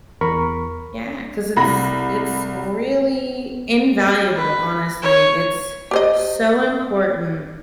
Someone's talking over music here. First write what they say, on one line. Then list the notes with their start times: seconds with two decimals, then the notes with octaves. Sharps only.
yeah, ‘cause it's it's really invaluable, honestly, it's so important.
0.21 E2 A#4 B5 C#6
1.56 C2 B5 A#6
4.36 B4
5.02 C#5
5.91 G4 C5 D#5